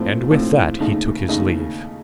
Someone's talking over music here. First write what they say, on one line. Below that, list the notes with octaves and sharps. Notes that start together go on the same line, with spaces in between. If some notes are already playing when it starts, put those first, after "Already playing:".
And with that he took his leave.
Already playing: A#1 A2 A3 C4 F4
A#1 A2 A3 C4 F4
D#2 C#3 A3 D#4
D#2 C#3 A3 D#4